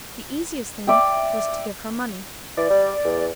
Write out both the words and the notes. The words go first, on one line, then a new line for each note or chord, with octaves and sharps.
The easiest thing was to give her money.
D5 E5 G5
E3 D5
G3
E2